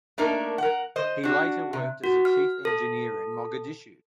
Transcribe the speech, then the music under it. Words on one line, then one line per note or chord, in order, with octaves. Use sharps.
He later worked as a Chief Engineer in Mogadishu.
A3 A#3 D4 D#4 A#4
A#4 F#5
C5 D#5
D4 F#4
C3
F#4
F6
A4